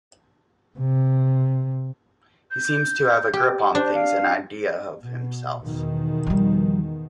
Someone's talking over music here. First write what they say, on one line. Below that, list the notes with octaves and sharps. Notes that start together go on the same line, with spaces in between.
He seems to have a grip on things, an idea of himself.
C3
G6
G4
D4 C5
F5
B2
E2 B2 D#3
F3 G3